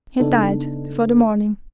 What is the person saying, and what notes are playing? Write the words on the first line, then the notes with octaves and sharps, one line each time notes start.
He died before the morning.
C#3 B3 D4 D#4 A4